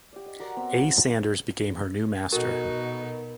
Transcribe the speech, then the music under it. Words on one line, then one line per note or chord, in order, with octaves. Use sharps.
A. Sanders became her new master.
G4 D5
D#5
F#4 A#4 D5 C6
B3 C4 A#5 E6
F3
C6
B2 D#4 F#4 A4 A#4